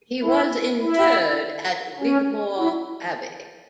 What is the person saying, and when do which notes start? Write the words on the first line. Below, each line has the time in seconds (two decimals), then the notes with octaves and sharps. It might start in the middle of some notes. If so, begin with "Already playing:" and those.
He was interred at Wigmore Abbey.
0.23 E4
0.82 E4
2.00 C#4
2.59 E4